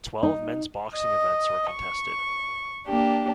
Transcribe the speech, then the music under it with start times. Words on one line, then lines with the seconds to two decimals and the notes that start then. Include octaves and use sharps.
Twelve men's boxing events were contested.
0.23 D#4
0.95 D#5
1.71 C#6
2.87 A#3 D4 G4